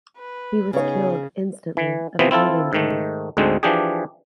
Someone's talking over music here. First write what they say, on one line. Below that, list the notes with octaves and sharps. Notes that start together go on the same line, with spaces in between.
He was killed instantly of head injuries.
B4
C#3 B3 D#4 G#4 C#5
E3
C3 E3 F3 B3 C4
C4 E4 F4 A4
G#2 D#3 A3
D2 G#2 D3 G#3 C4
E3 F3 D4 G4 G#4